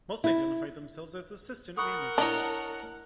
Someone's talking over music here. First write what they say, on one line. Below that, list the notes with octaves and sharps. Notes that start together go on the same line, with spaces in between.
Most identify themselves as assistant managers.
E4
A#4 F#5 B5 C#6 D#6
D4 E4 C#5 D#5 A5 A#5 G7